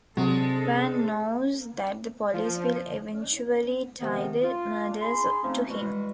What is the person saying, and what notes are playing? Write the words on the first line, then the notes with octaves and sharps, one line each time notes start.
Vann knows that the police will eventually tie the murders to him.
C3 F#3 G#3 C4 D4 A4 C5
F3
C3 D#3 F3 B3
F4
G#4 B5 C6
F3 A3 C4 C#4 D#4
E3 G3 G#3 F#4